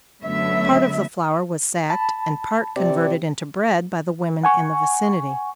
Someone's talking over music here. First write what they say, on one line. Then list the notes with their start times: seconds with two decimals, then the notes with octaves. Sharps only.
Part of the flour was sacked, and part converted into bread by the women in the vicinity.
0.23 F#2 D3 F#3 A3 B3 E5
1.90 A5 B5
2.76 C3 D5
4.43 F#5 G#5 C#6